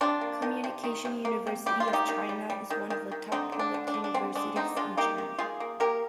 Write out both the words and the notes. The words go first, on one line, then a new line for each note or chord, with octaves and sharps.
Communication University of China is one of the top public universities in China.
C3 D4 F4
A#3
D#3
C3
D#3
C3
A#3
C3
G3 G4
F4
D#3
D#4 G4
D#3
G3
G3
D#3
D#3
D#3
D3 C4 D#4
D3
D4
D3
D4
D3
D4
D3 C4
G#3 D4
D3 C4 D#4
G#3 D4 F4
A#3 D#4 G4
D#3
D#3 F4 G#4
A#3
A#3 G4 A#4